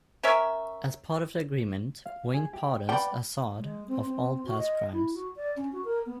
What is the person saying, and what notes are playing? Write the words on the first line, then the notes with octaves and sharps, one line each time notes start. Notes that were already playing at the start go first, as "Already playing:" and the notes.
As part of the agreement, Wayne pardons Assad of all past crimes.
C#4 A#4 C#5 E5
F5
G#4
G4
B4 D5 F#5 G5 B5
G#3
C4
C4
F#4
D#5
E4
F#4
D5
C#4
F#4
A#4
B3